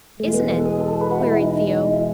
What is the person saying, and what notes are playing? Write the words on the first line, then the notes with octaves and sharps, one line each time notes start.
"Isn't it?" queried Theo.
E2 B2 G#3 A3
B3
B3
A4
G#4
A4
B4
F#4
E4
D#4
E4